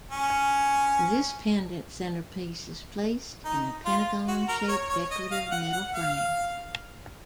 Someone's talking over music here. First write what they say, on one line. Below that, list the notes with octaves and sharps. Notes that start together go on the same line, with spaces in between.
This pendent centerpiece is placed in a pentagon shaped decorative metal frame.
C#4
D#4
F4
F#4
A#4
C#5
C#5
D#5
F5
F#5
F#5
F5